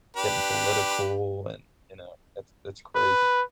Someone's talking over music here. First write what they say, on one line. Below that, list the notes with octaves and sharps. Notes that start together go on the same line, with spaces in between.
getting political, and, you know, that's that's crazy.
D4 G4 B4
B4